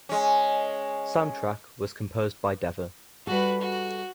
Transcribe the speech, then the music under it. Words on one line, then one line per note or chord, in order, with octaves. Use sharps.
Soundtrack was composed by Deva.
G#3 C#4
G3 F#4 A4 B4
F#4